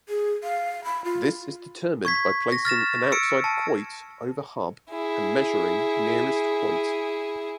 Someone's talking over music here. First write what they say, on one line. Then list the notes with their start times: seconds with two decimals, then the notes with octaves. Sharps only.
This is determined by placing an outside Quoit over Hub and measuring nearest Quoit.
0.09 G#4
0.43 F5
0.84 B5
1.05 F4
2.05 C#6 G#6 B6
2.52 A#6
2.65 F6 A6 A#6 E7
3.12 E6 C#7 D7
3.44 A5
4.90 E4 G#4